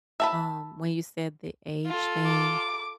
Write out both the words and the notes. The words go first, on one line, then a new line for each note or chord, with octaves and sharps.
um, when you said the age thing
E5 A5 B5
F4 A4
D6